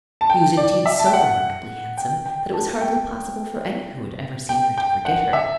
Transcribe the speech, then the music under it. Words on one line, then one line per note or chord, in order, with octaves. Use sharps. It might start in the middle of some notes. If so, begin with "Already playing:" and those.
She was indeed so remarkably handsome, that it was hardly possible for any who had ever seen her to forget her.
A5
G5
D5
E5
A5
G5
F#5
G5
G5
A5
G5
G5
G5
F#5
E5